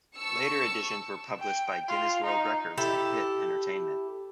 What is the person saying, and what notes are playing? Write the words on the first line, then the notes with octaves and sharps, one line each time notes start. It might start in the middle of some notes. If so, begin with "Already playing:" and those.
Later editions were published by Guinness World Records and HiT Entertainment.
A5 C#6 E6 C#7
G5
F4
D#4
E4 G4 A4